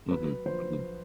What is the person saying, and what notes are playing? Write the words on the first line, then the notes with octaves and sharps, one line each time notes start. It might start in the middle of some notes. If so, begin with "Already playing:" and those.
Mhm. Mhm.
F#3 B4
A#1 C5